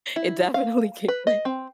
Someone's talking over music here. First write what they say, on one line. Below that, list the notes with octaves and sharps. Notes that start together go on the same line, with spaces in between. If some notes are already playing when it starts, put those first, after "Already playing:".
it definitely kicked in.
E4
F5
B4
D#5
C4